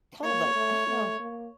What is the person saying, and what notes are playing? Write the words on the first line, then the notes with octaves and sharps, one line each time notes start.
kind of like, I don't know,
A#3 C#5
A3
A3
A#3